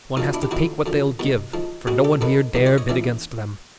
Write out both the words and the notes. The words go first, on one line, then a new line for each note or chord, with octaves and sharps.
One has to take what they'll give, for no one here dare bid against them.
F#2 C#3 F3 C#4 D#4
D4 E4
G4
F2 D3 F#3 E4 F#4
F#2 D3 F3
C2 B2 F#3
G#2 F3
C2 B2 F#3 F#4 G#4
G4 A4
F#2 D#3 F#3 A4 B4
C2 C3 D#3 F#3
C5 D5
C#5 D#5
C#2 C#3 E3 D5 E5